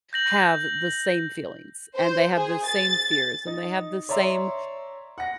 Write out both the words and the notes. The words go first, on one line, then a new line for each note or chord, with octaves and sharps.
have the same feelings, and they have the same fears, and they have the same
G6 A#6 F#7
C5
G#4
A6
D#4
C#5 D5 E5 A#5 C6
F#5 A#6